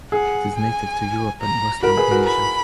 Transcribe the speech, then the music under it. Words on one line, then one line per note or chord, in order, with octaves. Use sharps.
It is native to Europe and western Asia.
G#4 F#5
G#5
A#5
F#4 A#4 B5
G#4 B4
F#4 A#4
B5